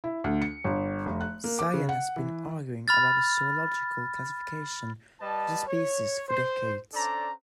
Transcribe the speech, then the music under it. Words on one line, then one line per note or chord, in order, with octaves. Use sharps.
Science has been arguing about the zoological classification of the species for decades.
E4
D2
C#7
G1
F1
F#6
A#3
D6
C#3
F#5
E3
B5 F6 A6
G3 B4 D#5 A5
C#5
C5
C#4 D4 A4 C5 D5 A#5